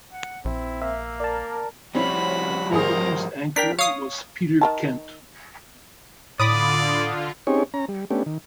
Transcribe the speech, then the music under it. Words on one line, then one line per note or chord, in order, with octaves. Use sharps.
The program's anchor was Peter Kent.
F#5
A#1 C4 E4
A#3 E5
A#4 D5 A5
F3 G3 C4 C#4 E4 F#4 B5
G#1 G#4 A#4 C5 D#6
D4 A#4 G5 B6
C#5 F5 D#6
D#3 A#4 A5
A2 D3 F4 D5 B5 D6 D#6
C4 C#4 D#4 G4 G#4 C#5
C#4 A#5
G3
A3 B3 C#4 D4 G4
D#3